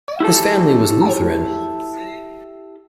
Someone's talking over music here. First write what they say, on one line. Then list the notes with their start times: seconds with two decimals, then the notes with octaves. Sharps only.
His family was Lutheran.
0.20 E4 G4 A4